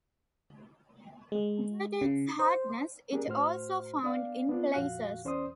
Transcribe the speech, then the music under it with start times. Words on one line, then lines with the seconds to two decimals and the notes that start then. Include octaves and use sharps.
Due to its hardness it also is found in placers.
1.32 G#3
2.01 C#3
2.39 C5
3.12 A#3 C#4 D4 G4 G#4 A#4
3.28 A2 F#4 C5 F6
4.02 B3 D4 D5 F5
4.49 B3 C4 D4 F4
4.74 F2 A#2 F#4 F5 F#6
5.25 E2 C#4 C5 D5 C6 D#6